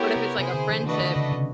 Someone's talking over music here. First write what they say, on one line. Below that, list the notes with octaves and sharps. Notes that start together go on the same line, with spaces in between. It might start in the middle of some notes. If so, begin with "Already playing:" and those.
But if it's, like, a friendship,
Already playing: B3 E4 G4 A#4 C#5
C3
C3 E4 G#4 C5
D3
E3
D#3 A3 D4 F#4 B4 D#5
D3
C#3
C3